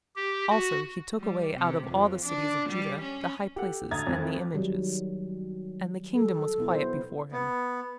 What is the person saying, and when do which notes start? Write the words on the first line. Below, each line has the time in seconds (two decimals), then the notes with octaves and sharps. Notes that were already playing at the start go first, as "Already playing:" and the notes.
Also he took away out of all the cities of Judah the high places and the images: and the kingdom was quiet before him.
0.16 G4
0.50 F#4
1.20 G3
1.55 C3
1.88 F2
2.25 D4
2.70 G3
3.02 C#4
3.56 G4 A4 F#5
3.91 D2 A#5 D#6 G#6 A6
4.07 F2
4.19 A3 E4
4.54 D#3 F#3 G3
6.15 A4
6.58 B2 B3 E4
6.70 E4 C5
7.32 B3